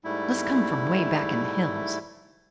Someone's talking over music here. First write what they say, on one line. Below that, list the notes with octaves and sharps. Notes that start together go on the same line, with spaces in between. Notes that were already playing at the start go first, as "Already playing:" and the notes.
"Must come from way back in the hills."
G#2 G3 A3 E4